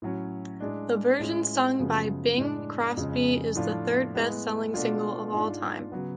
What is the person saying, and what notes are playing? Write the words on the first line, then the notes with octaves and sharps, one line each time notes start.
The version sung by Bing Crosby is the third best-selling single of all-time.
A2 F#3 C#4
A2 G#3 D4
A2 G#3 C#4 F4
F#2 C#3 F3 G#3 B3
A2 G#3 D4
F2 C#3 F3 G#3
A2 F3 A3 D4 F4
A2 G#3 B3
B2 A3 D4 F4
G#2 G#3 D4 F4
C#3 F#3 B3